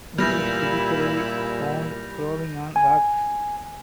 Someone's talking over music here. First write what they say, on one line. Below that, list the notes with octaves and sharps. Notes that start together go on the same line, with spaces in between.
It is typically found growing on rocks.
A#2 E3 G3 E4 G6 A#6 F7
G#5